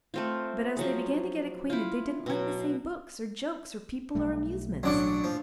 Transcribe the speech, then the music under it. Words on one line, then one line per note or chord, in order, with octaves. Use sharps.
But as they began to get acquainted, they didn't like the same books or jokes or people or amusements.
A3 C4 F4
F3 F#3 G#4
E4 F4
B2 F#3
B1 G3 A3
A1 F#3 D4 D5 F#5 D6
F3